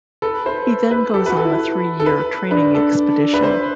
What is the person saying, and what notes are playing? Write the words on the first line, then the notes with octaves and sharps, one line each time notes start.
He then goes on a three-year training expedition.
A4 B4
C5
B4
G4 A4
F#4 B4
A4
E4
A4
B4
D4 B4
A4
B4
C5